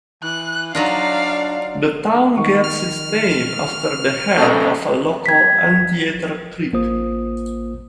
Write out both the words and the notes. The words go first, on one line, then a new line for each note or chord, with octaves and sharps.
The town gets its name after the head of a local anteater creek.
E3 F#6
F#3 D4 D#4 F4 D5 F5
D#3 C#6
F6
G#2 C#3 A4 D#5
G#6 B6
A1 A#3 F4 C5 D#6